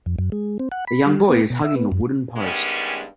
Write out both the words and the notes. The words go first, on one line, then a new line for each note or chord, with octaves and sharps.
A young boy is hugging a wooden post.
F2
F#2
G#3
C4
F#5
B5
G3
B3
B2
E5
B3
F#2
G2 D#3 G3 G#3 B3 C#4